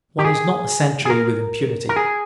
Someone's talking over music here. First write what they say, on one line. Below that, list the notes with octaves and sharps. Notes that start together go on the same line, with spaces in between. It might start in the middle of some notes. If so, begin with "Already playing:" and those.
One is not a century with impunity.
G4
G#4
G#4
A#4
A#4
G#4